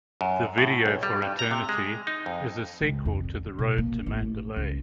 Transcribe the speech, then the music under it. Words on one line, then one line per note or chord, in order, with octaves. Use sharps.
The video for "Eternity" is a sequel to "The Road to Mandalay".
F#2
A2
B1
G3
G2
A#5
C3
G#3
D#4
F2
C#2
F2
D3
B2
A#3
A1
A3
C#2